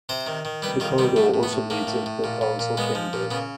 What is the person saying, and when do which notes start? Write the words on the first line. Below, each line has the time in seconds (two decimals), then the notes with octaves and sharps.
The corridor also leads into the Council Chamber.
0.09 C3 C5
0.26 D#3
0.45 D#3
0.62 G3 B4
0.80 D#3 F4
0.98 G3 B3
1.16 A2 A3
1.34 A2
1.43 B3
1.53 A2
1.70 A2 A#3
1.87 A2
2.06 A2
2.24 A#2
2.41 A#2
2.59 A#2
2.77 G#3 B3
2.95 F3
3.13 A#2
3.31 C#3 B3